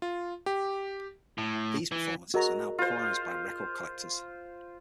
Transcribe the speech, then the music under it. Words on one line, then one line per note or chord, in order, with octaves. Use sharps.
These performances are now prized by record collectors.
F4
G4
A2
E3
F#4 G#4 A#4 D#5 A#5
F4 C5